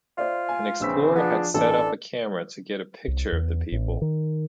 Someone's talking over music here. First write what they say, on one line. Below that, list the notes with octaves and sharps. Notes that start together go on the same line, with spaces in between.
An explorer had set up a camera to get a picture of the people.
F4 C5 D5 E5
G#5
A#1 C#3 E3 C4 E6 B6
F3 B3 D4 F4 G#4
A1 E3 D4 A4
C2
E2
A1
D#3